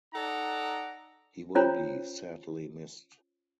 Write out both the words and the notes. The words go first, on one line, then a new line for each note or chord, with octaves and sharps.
He will be sadly missed.
D#4 A4 D5 F#5 A#5
C#4 F4 C5 C#5 A#5